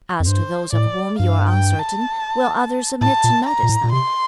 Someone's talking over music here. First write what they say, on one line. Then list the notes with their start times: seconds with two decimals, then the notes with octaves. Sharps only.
"As to those of whom you are uncertain, will others omit to notice them?"
0.20 F2
0.27 G2 C5
0.73 A2 D5
1.19 G2 F5
1.49 G5
1.80 A5
3.01 A2 A5
3.24 A#2
3.47 A#5
3.63 A#2
3.69 A2
3.84 A#2
3.92 C3 C6